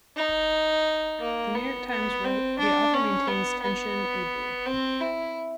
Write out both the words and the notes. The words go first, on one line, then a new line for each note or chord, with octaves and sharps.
The "New York Times" wrote "the author maintains tension ably".
D#4
A#3
B3
B3
C4
D4
C#4
B3
B3
C4
E4